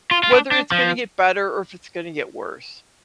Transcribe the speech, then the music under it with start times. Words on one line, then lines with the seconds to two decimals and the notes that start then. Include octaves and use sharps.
whether it's gonna get better or if it's gonna get worse.
0.11 F4
0.23 F4
0.32 D4
0.51 D4
0.72 F3